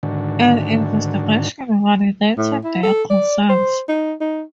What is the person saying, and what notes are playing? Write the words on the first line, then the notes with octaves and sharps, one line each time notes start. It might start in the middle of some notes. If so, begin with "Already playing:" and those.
An investigation validated their concerns.
G#2 D3 D#3 D4 F#4
A2
E4
A4
D5
C5
D#4
D#4